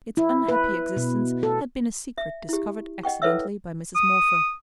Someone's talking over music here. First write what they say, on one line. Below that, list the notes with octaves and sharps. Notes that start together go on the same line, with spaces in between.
Its unhappy existence had been a secret discovered accidentally by Mrs. Morpher.
E4
B4
B2
A4
E5
E4 G4
D#5 F#5 G5 C#6
E4 A4 B4 C#5 E5 E6
D#6